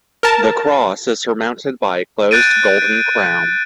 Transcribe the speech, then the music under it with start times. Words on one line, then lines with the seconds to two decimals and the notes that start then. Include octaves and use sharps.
The cross is surmounted by a closed golden crown.
0.23 A#4 A5
2.31 F#6 G6 A6 D7 D#7